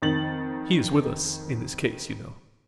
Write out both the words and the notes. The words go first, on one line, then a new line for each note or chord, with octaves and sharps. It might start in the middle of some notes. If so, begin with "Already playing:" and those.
"He is with us in this case, you know."
F2 D#3 A6 F#7